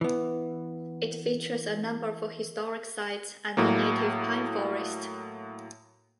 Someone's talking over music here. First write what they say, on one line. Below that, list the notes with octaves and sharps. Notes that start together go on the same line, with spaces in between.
It features a number of historic sites and a native pine forest.
E3 B3
A2 F#3 A#3